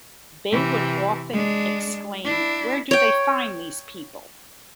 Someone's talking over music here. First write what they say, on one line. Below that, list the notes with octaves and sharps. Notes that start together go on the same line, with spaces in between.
Bey would often exclaim Where do they find these people?!
C3 E3
G#3 D4
D4 E4
C#5 G5